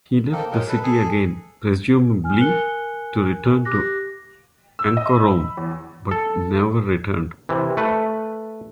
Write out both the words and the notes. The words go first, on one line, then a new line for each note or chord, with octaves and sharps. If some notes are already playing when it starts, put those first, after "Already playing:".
He left the city again, presumably to return to Anchorome, but never returned.
A#3 C4 D#4 A4
F#3 G#3 D#4 A#4
A4 B4
G#4 A4
G#5 F6
A#4 G#5 F#6 C#7 G7
G4 D6 F#6 A#6
E6
D#5
B5
E2
A4
C3 E3
A3 B4